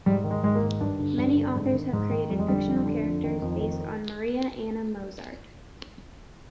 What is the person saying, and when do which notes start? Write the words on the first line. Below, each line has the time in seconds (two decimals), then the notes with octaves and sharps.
Many authors have created fictional characters based on Maria Anna Mozart.
0.06 G#2 G3
0.24 D#3
0.31 G#3
0.43 G#2 G#3
0.55 A#3
0.62 D#3
0.80 G2 D4
0.99 D3
1.18 G2
1.36 D3
1.56 G#2
1.73 D#3
1.93 G#2
2.11 D#3
2.30 F2 G3
2.39 G#3
2.48 D3 G3
2.67 F2
2.86 D3
3.05 F2
3.24 D#3
3.42 F2
3.60 D#3